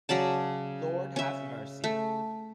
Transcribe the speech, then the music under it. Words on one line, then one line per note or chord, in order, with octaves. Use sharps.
Lord Have Mercy!
C#3 F#3 D5 A5
C#4 E5
A3